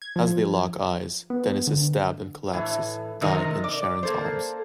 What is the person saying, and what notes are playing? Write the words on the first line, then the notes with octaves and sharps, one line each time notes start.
As they lock eyes, Dennis is stabbed and collapses, dying in Sharon's arms.
G#6
F3
B3
D3
A2 E3
C3 D#3 D#4 A#4 D#5
D5
A#3 A4 C5